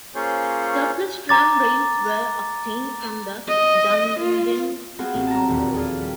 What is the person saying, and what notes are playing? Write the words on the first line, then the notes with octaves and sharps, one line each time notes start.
Surplus tram rails were obtained from the Dunedin City Council.
A#3 C#4 F4 G#4 C5 C#5
A#5 D6 A6
D#5
F4
B3 C4 F4 F#4 G#4 C5
A1
A5 A#5
E1 A#1 D#2
F4 G#4 A4
G3